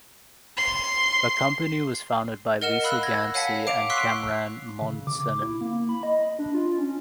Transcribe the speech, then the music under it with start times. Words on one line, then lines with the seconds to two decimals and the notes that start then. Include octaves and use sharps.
The company was founded by Lisa Gansky and Kamran Mohsenin.
0.56 C6
2.61 A#4 D#5 F#5 F6 E7
2.83 F5 B5 E6 F#6
3.03 G#6 A#6
3.34 C#5 F5 F#5 G#5 A5 B6
3.67 F5 D6 D7 F7
3.90 C6 C#6 E6 F#6 B6 C7
4.81 C#3
5.07 D6
5.42 E4
5.61 A#3
5.89 B5
6.03 D#5
6.39 D4
6.54 F4
6.78 C#4